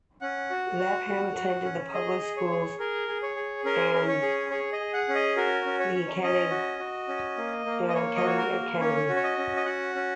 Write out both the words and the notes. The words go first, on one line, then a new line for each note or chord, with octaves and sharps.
Lapham attended the public schools and the Canandaigua Academy.
C#4 F#5
F#4
F#4
F#4
F#4
C#4
G#4 D#5
G#4
C#5
G#4
G#4 A#4
G#4
C#5
G#4
C#4 A#4
C#4
C#5
G#4
G#4 C#5
D#5
G#4
F#5
C#4
D#5
F#4 A#4
C#4
C#5
C#4
C#4 D#5
F#4
F#4
C#4
A#3
A#3
D#5
A#3 C#5
D#5
F#4 C#5
A#4
A#3
C#4 C#5
F#4
C#5
D#5
C#4
D#5
F#4 F#5
C#4